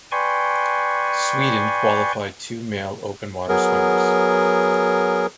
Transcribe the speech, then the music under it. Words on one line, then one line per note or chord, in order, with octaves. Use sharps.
Sweden qualified two male open water swimmers.
B4 D5 G5 G#5 C6 C#6
F#3 B3 G#4 A#4